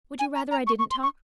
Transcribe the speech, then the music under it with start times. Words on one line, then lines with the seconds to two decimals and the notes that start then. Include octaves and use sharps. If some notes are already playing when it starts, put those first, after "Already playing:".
Would you rather I didn't talk?
0.19 G#5
0.35 A#5
0.51 A#5
0.67 C#6
0.79 C#6
0.91 C6
1.03 C#6